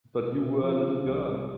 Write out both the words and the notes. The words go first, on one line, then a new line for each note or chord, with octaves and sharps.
But you were a little girl.
B2
F3
C2